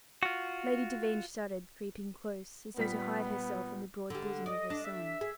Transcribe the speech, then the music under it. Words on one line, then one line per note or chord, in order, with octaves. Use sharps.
Lady Devine shuddered, creeping close, as though to hide herself in the broad bosom of her son.
F4 F#4
A#2 G3 B3 B6
D3 G3
D5 D#5
D4
E5
G#4